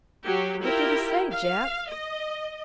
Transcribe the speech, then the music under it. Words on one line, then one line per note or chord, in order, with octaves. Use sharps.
"What did he say, Jap?"
F#3 G4
E4 F4 G4 A#4 G5
F5
D#5